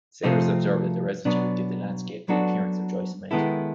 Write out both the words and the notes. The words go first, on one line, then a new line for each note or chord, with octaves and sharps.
Sailors observed that the residue gave the landscape the appearance of dry cement.
C3 F3 A3 C4 D#4
B2 F#3 B3 D4
F#3 B3 D4 F#4 A4
D#3 G#3 B3 E4 A4